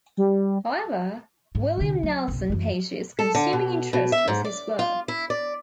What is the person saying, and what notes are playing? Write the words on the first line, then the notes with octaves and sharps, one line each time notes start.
However, William Nelson Page's consuming interest was his work.
G3
G#2
C2 D3
F#3
F#1 B1
F#2 E3
A4
D3
B2
B2
E5
G#2
D5
F4
E4
D5